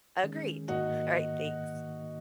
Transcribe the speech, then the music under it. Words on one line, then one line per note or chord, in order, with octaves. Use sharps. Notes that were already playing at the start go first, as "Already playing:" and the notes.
Agreed. Alright, thanks.
D#3 G#3 C#4 G#4
G#2 D#3 A#3 D#4 F#4